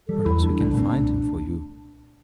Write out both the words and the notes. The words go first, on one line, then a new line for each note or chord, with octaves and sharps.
Perhaps we can find him for you.
E3 G3 A4
E2 E4
E3 G3 D4
C2
A#2 A3 C4
C2